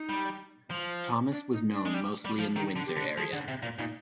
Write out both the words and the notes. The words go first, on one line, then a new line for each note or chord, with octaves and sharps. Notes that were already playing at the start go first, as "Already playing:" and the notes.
Thomas was known mostly in the Windsor area.
Already playing: D#4
G3
F3
D4
D#4
D4
G#3
G3
G3
F3
D#3 D#4
D3
G4
D3
F3 G#4
D3
C3
A#2
A#2 D#4